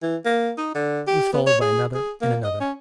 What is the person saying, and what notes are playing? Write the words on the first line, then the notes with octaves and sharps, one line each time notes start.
It was followed by another and another.
E3
A#3
D#4
D3
G4
B3
C#5
G#4
G#4
A#3
D#5
C#4